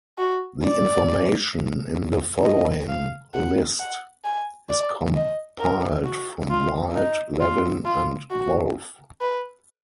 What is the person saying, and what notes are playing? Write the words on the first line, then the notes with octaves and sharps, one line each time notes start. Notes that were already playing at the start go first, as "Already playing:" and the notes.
The information in the following list is compiled from Wild, Levin, and Wolff.
F#4
D5
D#5
F5
F#5
F#5
G#5
D5
D#5
A#4
F#4
F4
D#4
F4
F4
F#4
B4